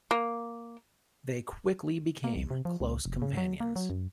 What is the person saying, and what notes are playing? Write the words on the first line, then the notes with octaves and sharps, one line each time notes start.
They quickly became close companions.
A#3
A#3
C2
C3
F3
C#2
F1
C#3
F#3
A#3
F#3
F#2